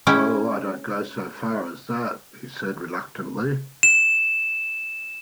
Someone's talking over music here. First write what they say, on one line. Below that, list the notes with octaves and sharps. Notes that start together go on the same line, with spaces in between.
"Oh, I don't go so far as that," he said reluctantly.
G#3 C#4 E4 G5
E7